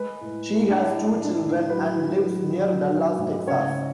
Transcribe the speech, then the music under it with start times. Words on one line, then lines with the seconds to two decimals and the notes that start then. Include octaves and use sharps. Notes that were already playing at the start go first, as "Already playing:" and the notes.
She has two children and lives near Dallas, Texas.
Already playing: G#3 B4
0.21 A2
0.52 G#3
0.71 D4
0.81 G#3 E4
1.10 A2
1.25 D4
1.40 A2
1.70 F#3 B4
2.00 F#3
2.29 F#3
2.58 F#3
2.88 F#3
3.18 G#2
3.47 C#3 C#5